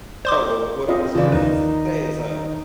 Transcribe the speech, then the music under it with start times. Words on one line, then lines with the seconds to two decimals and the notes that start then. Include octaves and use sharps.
Oh, well, what what I was gonna s say is, uh,
0.25 C5 D5 C6 D6
0.89 C4 F4 D#5
1.15 C#3 E3 F4 D5
1.32 D#2 D#3 D#4 B4